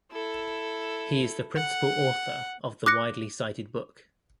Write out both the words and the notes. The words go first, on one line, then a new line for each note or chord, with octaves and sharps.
He is the principal author of the widely cited book.
E4 A4
F#5
D6 F#6 A#6 C#7